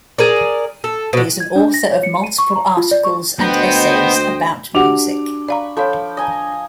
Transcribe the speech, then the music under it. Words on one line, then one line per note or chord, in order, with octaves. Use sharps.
He is an author of multiple articles and essays about music.
G#4 A#4 D5
A4
B2 D3
G#6
D4
A#6
C#5
C#7
D#7
C#6
A#5
F4
D5
C#6
D2 B3 F#4 C5 D#5 G5
D4 F#4 G4 F#5 D6 F7
D5 F5 A#5 B5 C#6
F3 A4 C#5 G5 B5
D#5 G#5 A#5